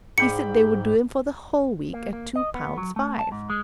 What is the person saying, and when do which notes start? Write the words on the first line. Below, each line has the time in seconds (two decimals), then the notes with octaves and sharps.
He said they would do him for the whole week at two pounds five.
0.18 G#2 G#4 D5 G5 B5 C#7
1.93 A#3
2.13 A#3
2.36 D#5
2.55 B3
2.77 F#3
2.96 A3
3.19 A5
3.32 G#2
3.50 G#3